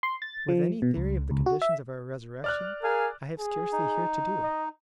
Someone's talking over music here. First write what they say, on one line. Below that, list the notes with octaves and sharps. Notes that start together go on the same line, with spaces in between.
With any theory of the conditions of our resurrection, I have scarcely here to do.
C6
A6
F3
B2
C#2
C#2
F#4
E5
D5 F6 F#6
G#4 A#4 F5 G#5
G#4
D#4
D#5